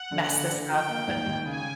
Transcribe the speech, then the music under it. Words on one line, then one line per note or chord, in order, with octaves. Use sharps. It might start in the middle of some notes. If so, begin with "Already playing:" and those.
mess this up, and
Already playing: F#5
D3
D3
D3
F3 G5
A#3
D#2
D#2
C#3 G#5